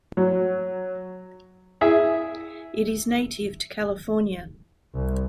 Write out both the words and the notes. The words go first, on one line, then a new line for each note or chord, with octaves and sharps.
It is native to California.
F#3
E4 G#4 E5
C2